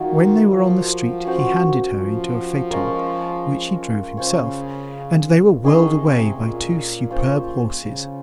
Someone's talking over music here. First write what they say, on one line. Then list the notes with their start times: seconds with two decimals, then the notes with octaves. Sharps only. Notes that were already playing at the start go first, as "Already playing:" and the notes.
When they were on the street he handed her into a phaeton, which he drove himself, and they were whirled away by two superb horses.
Already playing: D#3 F#3 A#3 F4
0.51 F3
1.25 C#4 F#4 C5
1.97 F3
2.71 G#3 C#4 F4 A#4
4.17 C#3 C#4 F4 C5
5.64 D#3 C#4 G#4 D#5
6.00 C3
6.37 A#2
7.11 C#4 F4 C5
7.84 C#3